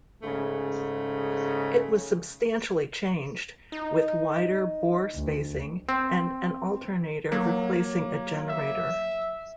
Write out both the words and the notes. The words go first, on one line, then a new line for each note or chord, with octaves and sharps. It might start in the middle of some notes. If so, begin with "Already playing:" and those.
It was substantially changed, with wider bore spacing and an alternator replacing a generator.
G#2 C#3 A3
D#4
D2
C4
F#3 A#3
E5